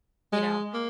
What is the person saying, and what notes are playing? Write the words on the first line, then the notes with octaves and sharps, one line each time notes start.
you know
G#3
A#3